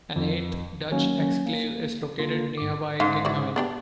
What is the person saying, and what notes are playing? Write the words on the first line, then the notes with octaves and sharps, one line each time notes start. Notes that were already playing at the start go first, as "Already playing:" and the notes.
An eighth Dutch exclave is located nearby Ginhoven.
F2
D#3 F#3 A#3 C#4
A#3
D3 A#3 F4
G#2 D6
G#2 F5
E3 F#4 D5
B3 D4 G4